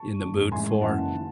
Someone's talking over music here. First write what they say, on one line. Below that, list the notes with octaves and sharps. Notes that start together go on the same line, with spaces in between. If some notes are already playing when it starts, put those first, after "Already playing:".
in the mood for.
Already playing: A5 C#6
F#1 F#2 D#3
A1 A2 G#3 G#5 C6
F#1 F#2 E3 F#5 A5
D#3